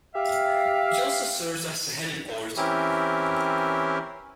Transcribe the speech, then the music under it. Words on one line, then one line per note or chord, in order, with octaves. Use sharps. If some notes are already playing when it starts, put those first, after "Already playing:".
It also serves as a heliport.
G4 E5 F5
E3 C4 C#4 E4 G4 A#4